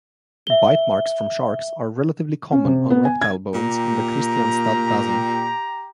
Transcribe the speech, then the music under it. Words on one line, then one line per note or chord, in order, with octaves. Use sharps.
Bite marks from sharks are relatively common on reptile bones in the Kristianstad Basin.
E5 G7
C#4
C3
B3
G#5
G#6
A#2 G4 A#5